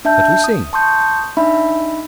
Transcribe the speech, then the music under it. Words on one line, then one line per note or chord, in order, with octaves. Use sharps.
But we sing.
D4 E5 A5 G6
D#6
A5 C6 C#6 D#6 G6
D4 D#4 E5 B5